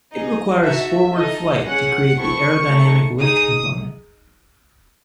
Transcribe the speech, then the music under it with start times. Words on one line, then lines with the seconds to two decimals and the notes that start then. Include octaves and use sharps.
It requires forward flight to create the aerodynamic lift component.
0.12 D#4 G#4 D#5
0.64 D#4 F#4 A4 E5
1.15 D#4 A4 D#5
1.66 C#4 G#4 F#5
2.17 C4 E4 A4 C#6
2.69 A3 D#4 A4
3.20 D#4 G#4 D#6